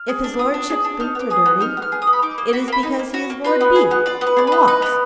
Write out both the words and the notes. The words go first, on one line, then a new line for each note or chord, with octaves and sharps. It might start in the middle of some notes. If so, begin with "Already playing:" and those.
If his lordship's boots are dirty, it is because he is Lord B., and walks.
Already playing: F6
G#4
D4
F4 D#6
D4
G#4
D4
D#4 F6
B3 D6
G#4 D#6
B3
D#4 F6
B3
F6
G#4
D#6
B3
B5
D#4 D6
A#3
F#4 B5
D6
A#3 B5
D#4
A#3
F#4
A#3
F4 B4
B3
G#4
B3
F4 D5
B3
B4
G#4 D5
B3 B4
D#4 B4
B3 D5